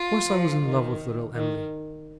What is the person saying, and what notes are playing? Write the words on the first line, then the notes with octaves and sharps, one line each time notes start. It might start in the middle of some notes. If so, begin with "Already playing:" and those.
Of course I was in love with little Em'ly.
Already playing: F4
F3
D#3
D#3